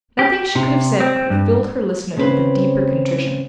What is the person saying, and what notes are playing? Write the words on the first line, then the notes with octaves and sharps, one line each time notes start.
Nothing she could have said could have filled her listener with a deeper contrition.
G4
C3
C4
G2
C#3 C4 C#4 F4 B4 C5